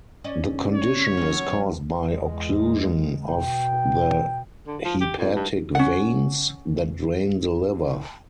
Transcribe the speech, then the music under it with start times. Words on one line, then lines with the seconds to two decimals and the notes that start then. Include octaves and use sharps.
The condition is caused by occlusion of the hepatic veins that drain the liver.
0.24 C#4 D5 D#5
0.75 C#5
1.17 F#3 C#4
2.12 E2 G#3
3.27 B2 G5
4.67 D3
4.84 F3
5.00 G4
5.18 F2
5.36 G2
5.75 C#4 F#5